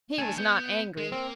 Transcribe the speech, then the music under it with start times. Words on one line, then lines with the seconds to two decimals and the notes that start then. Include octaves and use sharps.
He was not angry.
0.18 A3 D4 G#5 A5
0.38 B3 G6
0.97 G#3
1.12 A#3 C4